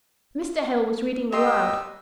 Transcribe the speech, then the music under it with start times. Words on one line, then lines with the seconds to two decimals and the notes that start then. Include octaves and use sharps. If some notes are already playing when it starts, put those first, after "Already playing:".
Mr. Hale was reading aloud.
1.32 G3 G4 D#5 C6 D#6 E6